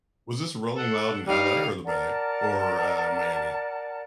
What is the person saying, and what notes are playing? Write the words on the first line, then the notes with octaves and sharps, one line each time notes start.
Was this Rolling Loud in LA, or the Bay? Or, uh, Miami?
A4 F#5
G3 D#4 F5
A#4 D5 F#5 A5